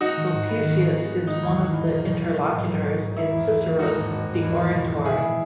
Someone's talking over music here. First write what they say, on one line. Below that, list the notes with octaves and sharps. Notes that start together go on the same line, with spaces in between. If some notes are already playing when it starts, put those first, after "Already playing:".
Sulpicius is one of the interlocutors in Cicero's "De oratore".
G#3 D#4 F#4
D#3
G#2
B3
D#3
G#2
G#3
G#3
G#3 D#4
E2
G#3
E2
B1
B2
F#3
B1
G#2
G#2
C#4
G#2
A#3 E4
E2
E2
A#3
G#3 D#4 F#4
G#1
G#1
G#2
E2
G#3
B2
G#3
A#2 E4 G#4
B3